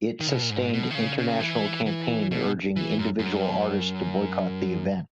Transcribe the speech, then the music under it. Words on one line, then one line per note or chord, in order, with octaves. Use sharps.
It sustained international campaign urging individual artists to boycott the event.
D#3
C#3
B2
A#2
G#2
B2
D#3
C#3
C#3
E3
E3
B2
E3
F#2
F#2